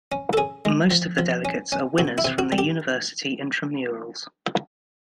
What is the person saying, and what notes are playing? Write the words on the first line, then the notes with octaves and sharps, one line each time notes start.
Most of the delegates are winners from the university intramurals.
C#4
A4
C#4 G#4
G#3
F3
F3
C#4
C#4
C3 F#4
E4
C3
F#4
G3
G4